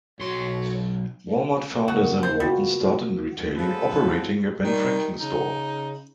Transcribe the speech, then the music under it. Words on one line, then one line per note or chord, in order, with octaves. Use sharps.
Walmart founder Sam Walton started in retailing operating a Ben Franklin store.
B1 F#3 C6
C#3 A#3 F#4
C5
G3 B3 F4 F#4
F3 F#3 G#3 B3 A4 B4
D#3 G3
C#3 D#4